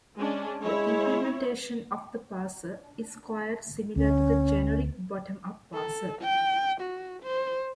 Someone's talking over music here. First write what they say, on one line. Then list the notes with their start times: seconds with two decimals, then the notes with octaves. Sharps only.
The implementation of the parser is quite similar to the generic bottom-up parser.
0.18 G#3 C#4 D4
0.62 G#3 E4 C#5
3.96 D2 C#4
5.75 A4
6.22 G5
6.81 F#4
7.23 C5